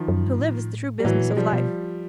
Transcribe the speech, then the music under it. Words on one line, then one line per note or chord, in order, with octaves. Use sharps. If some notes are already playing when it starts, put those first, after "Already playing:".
To live is the true business of life.
Already playing: D#3 F3
F#2
G2
A2
G3
A2 E3 F#3
A#2
G#3
B2 F3 G3
B2